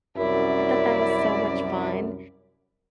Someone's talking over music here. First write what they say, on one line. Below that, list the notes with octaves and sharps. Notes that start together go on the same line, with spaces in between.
I thought that was so much fun,
C2 F#2 E4 D5